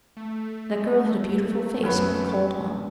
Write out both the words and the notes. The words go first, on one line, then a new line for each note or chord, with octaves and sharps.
That girl had a beautiful face but a cold one.
A3
F#2 B3